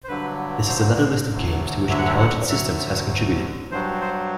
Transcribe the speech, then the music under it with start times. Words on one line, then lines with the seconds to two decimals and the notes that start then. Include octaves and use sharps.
This is another list of games to which Intelligent Systems has contributed.
0.04 C5
0.08 G2 D3 F#3 B4
0.68 C5
1.30 D2 D3 F#3
1.90 E5
1.98 F#5
2.07 E5
2.20 F#5
2.50 D2 D3 F#3 E5
3.71 G2 F#3 C5
4.01 C5